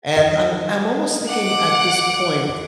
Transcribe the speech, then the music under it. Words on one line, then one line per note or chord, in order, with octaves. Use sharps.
and I'm I'm almost thinking at this point
D#5
F#5 D6